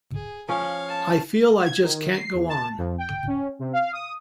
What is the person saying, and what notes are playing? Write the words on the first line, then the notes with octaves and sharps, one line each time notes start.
I feel I just can't go on.
G#4
F3 C#4 C#5 F5
A5
G#6
D#3
C7
E2
A5
F2
G5
C#4
C3
F5
D#6